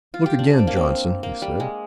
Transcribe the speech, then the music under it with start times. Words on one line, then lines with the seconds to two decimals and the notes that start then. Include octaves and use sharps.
"Look again, Johnson," he said.
0.14 F4
0.26 G4
0.39 D4
0.50 D4
0.59 C4
0.67 A#3
0.76 C4
1.23 A#3
1.42 G3
1.60 G#3